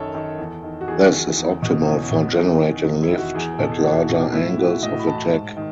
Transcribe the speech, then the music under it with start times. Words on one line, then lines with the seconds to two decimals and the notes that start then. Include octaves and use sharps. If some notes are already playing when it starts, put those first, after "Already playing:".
This is optimal for generating lift at larger angles of attack.
Already playing: F#2 D#3 A4 C#5
0.14 D#3
0.38 E2
0.63 D#3
0.81 F#4
0.88 E2 G#4
1.13 D#3
1.37 E2
1.62 B2
1.87 E2 C#4
2.11 B2
2.36 E2
2.61 D#3
2.85 E2
3.02 E4
3.11 D#3
3.18 F#4
3.34 E2 G#4
3.58 B2 A4
3.72 G#4
3.84 E2 F#4
4.09 B2 D#4
4.33 A2 E4
4.57 E3 F#4
4.83 A2 D#5
4.99 B5
5.07 E3 A5
5.32 G#2
5.57 D#3